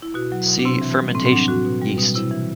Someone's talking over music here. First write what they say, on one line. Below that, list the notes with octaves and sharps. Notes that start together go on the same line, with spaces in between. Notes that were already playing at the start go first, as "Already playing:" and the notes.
See Fermentation, Yeast.
E4
B2 F#4
F#3
B2
D4
C3 C4
E3
G3
A2 C4
C4
F#3 D4
A2 F#4
B2
G3
B2
C3 E4
E3